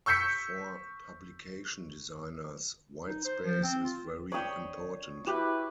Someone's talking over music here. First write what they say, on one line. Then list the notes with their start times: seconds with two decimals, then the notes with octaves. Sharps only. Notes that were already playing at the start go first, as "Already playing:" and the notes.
For publication designers, white space is very important.
0.06 C#6 E6 G6 B6 C#7
3.06 D#4
3.25 C5
3.44 F3
3.63 C4
3.84 F4
4.32 D4 G4 C#5 D#6
5.27 E4 F#4 G4 B4